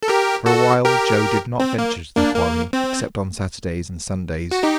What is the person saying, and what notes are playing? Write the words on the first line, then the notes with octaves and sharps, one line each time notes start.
For a while Joe did not venture to the quarry except on Saturdays and Sundays.
A4
G4 A#4
F#4 A4
G4 A#4
C4
A#3
A#3 D4
A#3
C4
F#4
D#4 G4